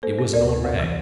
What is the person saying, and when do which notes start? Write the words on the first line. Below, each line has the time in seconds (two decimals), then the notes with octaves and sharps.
It was an old rag.
0.03 A#3 A4 C5
0.18 A#3
0.33 D2 A#4 D5
0.49 C3
0.64 F2
0.79 E3